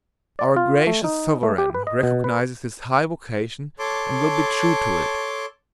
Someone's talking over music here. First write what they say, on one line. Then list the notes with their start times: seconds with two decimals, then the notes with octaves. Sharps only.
Our gracious sovereign recognizes his high vocation and will be true to it.
0.39 D5
0.56 F4
0.87 A3
1.04 D#4
1.43 A3
1.58 G4
1.74 B4
1.87 D#5
2.03 B2
2.24 B4
3.79 A4 C#5 A5 C6 D6